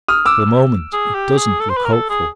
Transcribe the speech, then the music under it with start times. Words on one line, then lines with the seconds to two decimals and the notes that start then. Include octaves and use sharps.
For the moment it doesn't look hopeful.
0.08 D#6 F6
0.26 D6 E6
0.93 G#4
1.15 G4
1.38 G#4
1.60 A4
1.69 C5
1.77 B4
1.85 A#4
1.93 A4
2.10 G#4